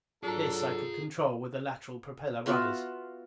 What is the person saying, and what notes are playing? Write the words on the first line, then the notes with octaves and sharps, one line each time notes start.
This I could control with the lateral propeller rudders.
F#3 D4 F4 G#4 A4 A#5
B3 F4 F#4 E5